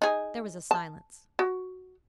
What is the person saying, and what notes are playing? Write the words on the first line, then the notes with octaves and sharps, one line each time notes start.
There was a silence.
D#4 G#4
A5
F#4